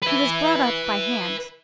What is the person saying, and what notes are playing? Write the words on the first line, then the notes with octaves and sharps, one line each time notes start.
He was brought up by hand.
B4 E5